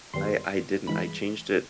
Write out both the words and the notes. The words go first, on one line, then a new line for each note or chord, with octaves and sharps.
I I didn't, I changed it
F#2 D#3 G3 B3 C6
G2 E3 G#3 B5